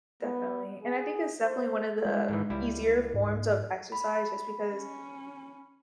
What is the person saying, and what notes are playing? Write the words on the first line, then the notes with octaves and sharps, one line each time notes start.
Definitely, and I think it's definitely one of the easier forms of exercise just because,
B3
G#4
C5
G#3
G#2 D#3 E3
C#2 G3 E4
G#2
B5
C#4